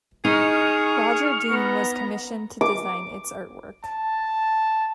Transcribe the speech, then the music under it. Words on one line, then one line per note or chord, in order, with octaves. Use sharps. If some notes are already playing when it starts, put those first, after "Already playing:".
Roger Dean was commissioned to design its artwork.
D#4 G#4 C#6 F6
B3 A#5
D6
A5